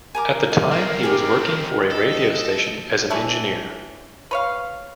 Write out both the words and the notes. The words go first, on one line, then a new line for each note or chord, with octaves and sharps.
At the time he was working for a radio station as an engineer.
A#4 G#5 A#5 D6
D#4
G#3 C4
G4 G#4
A4 D#5
E3 C#4 D4 E5
B4 C#5 F5